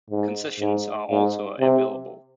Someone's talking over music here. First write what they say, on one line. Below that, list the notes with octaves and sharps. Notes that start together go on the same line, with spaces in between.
Concessions are also available.
G#2
G#2
G#2
C3